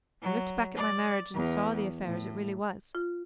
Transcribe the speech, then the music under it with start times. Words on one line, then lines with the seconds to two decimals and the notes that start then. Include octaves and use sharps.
I looked back at my marriage and saw the affair as it really was.
0.22 F#3
0.76 D5
1.34 E2
2.03 A2
2.95 F4